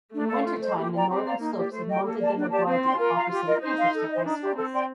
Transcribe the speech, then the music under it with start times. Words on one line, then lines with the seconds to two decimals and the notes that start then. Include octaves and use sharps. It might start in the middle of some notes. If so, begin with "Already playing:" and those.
In wintertime the northern slopes of Monte della Guardia offer some interesting icefalls.
0.14 A3 D4
0.29 A4 D5 F5
0.45 F4
0.61 C5 D#5
0.77 A#3 G4
0.93 D5 G5 A#5
1.08 C4 G4
1.24 D5 F5 A#5
1.40 A#3 D#4
1.56 G4 D5
1.72 A3 C5
1.88 D#5 G5
2.03 A#3 A4
2.19 D5 A5
2.35 D4
2.50 G4 D5 A5
2.67 C4 C5
2.83 G5 C6
2.98 F4 A#4
3.13 F5 A#5
3.30 F4 G4
3.46 A#4 D#5
3.61 D#4 C5
3.78 F5 C6
3.93 A4
4.08 C5 D#5
4.24 D4 D#4
4.41 G4 D5
4.56 C4 A4
4.72 D5 G5 C6